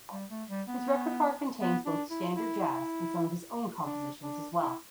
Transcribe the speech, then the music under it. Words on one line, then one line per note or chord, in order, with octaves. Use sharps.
His repertoire contains both Standard Jazz and some of his own compositions as well.
G3
A3
G3
B3
B3
D4
E4
E4
D4
D4
E4